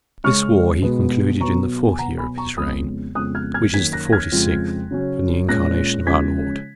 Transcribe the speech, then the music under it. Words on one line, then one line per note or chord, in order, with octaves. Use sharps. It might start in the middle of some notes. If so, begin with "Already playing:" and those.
This war he concluded in the fourth year of his reign, which is the forty-sixth from the Incarnation of our Lord.
C#3 G#3 C#4 C#6 F6
B2 G#3 B3
B2 F#3 B3 A#5 C#6
G#5
B2 F#3 B3 F#5 A#5
G#5 B5
A#5 C#6
F2 C#3 G#3 B3 B5 D#6
F2 C#3 G#3 B3 D#6 F#6
F6 G#6
F6 G#6
F#2 D#3 A#3 C#4 G#6 B6
F#6 A#6
F6 G#6
F2 C#3 F3 G#3
C#3 F#3 C#4
A#2 G#3 C#4 F#6 A#6
C#3 F3 G#3 C#4 G#6 B6